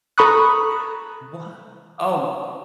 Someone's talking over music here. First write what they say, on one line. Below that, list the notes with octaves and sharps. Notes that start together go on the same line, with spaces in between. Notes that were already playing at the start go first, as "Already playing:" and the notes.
Yeah, what? Oh, my, uh
A4 A#5 B5 C#6 D#6 F#6